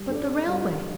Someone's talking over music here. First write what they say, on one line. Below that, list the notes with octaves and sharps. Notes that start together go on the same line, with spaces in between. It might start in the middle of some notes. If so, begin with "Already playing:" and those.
"But the railway!"
Already playing: G3
D4 A4 D5
G3